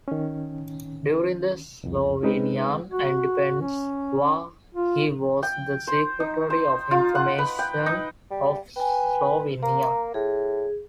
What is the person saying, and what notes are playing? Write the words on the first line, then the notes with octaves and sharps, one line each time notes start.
During the Slovenian Independence War he was the Secretary of Information of Slovenia.
D#3 C#4
C2 F2
G#3 C4 C#4 D#4 B4
F#4
C#4
F4
G5
C5
D#4
C5
F4
F#5
B4
G5
D#4
G3
B4 G5 G#5
A#3 A#5
A2 G#4